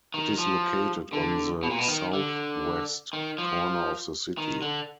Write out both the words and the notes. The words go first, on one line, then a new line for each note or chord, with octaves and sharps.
It is located on the southwest corner of the city.
D#3
F3
D3
B2
A#2
B2
D#3
D3
D#3
F3
D#3
D3